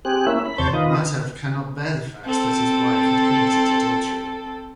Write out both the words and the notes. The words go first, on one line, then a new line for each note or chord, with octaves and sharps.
Madhav cannot bear the fact that his wife has committed adultery.
C4 G4 G#4 F#6
A#3 C#4 E4 E5
B5
E2 C3 C5 C#5 A5 G6
D#3 F4 B4 D#5
C4 A4